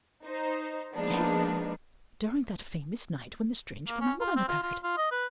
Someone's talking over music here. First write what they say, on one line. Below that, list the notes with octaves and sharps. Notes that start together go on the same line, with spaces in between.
"Yes, during that famous night when the strange phenomenon occurred."
D#4 C5
F3 G#3 A#3 B3 D4 D#4
A#3
C#4
F4
C4
F4
F4
F4
D#5
B4